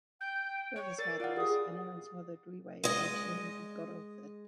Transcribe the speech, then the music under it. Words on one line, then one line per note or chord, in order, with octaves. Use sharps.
Whoever his father was, Aneirin's mother, Dwywei is mentioned in "Y Gododdin".
G5 G6
C#5
A#4 D5 A6
F4 D5 F5 F#5
G4 G#4 D#6
G#3 D#5